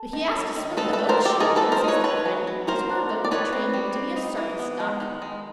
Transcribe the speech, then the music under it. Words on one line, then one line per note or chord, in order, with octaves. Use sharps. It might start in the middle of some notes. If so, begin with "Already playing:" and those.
"But he has to swim in the ocean," insisted Freddie, "'cause we're going to train him to be a circus duck."
Already playing: A4
D#3
F#3
D#3
D#4 A4 B4
A4 B4
A3
A#4 C5
F3
G4 A4
D#4 G#4 A#4
A4 B4
F3
A#4 C5
D#4 B4 C#5
D#3 B4 C#5
F#3
F#3
F#3 A#4 C5
D4
D#3
D5
D#4 B4 C#5
C4
G3
C4
D#4
E3
B3
G#3
D#3
G#3